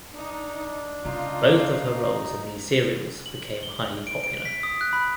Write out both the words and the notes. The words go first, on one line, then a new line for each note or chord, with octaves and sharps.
Both of her roles in these serials became highly popular.
D4 D#4
C#3 D#4 F4
F#7
G7
D7
D7
B6
D#6
F#6
B5